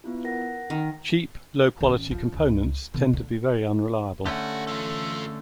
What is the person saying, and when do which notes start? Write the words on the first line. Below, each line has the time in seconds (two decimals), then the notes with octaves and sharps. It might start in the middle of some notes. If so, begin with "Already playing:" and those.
Cheap low quality components tend to be very unreliable.
0.04 B3 E4 F4
0.25 A#4 F#5 A#6
0.70 D#3
1.81 G#1 C#4
2.11 F3
2.32 C#2
2.94 B2 D3
3.13 D3
4.26 D3 A3 C#4 G4 F#5
4.67 F4 A4